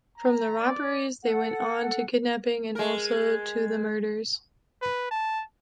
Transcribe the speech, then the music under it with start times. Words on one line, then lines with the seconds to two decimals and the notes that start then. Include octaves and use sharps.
From the robberies they went on to kidnapping and also to the murders.
0.17 A#5
0.59 D5
1.24 A4 F#5
2.75 G#3 A#4
4.82 B4
5.11 A5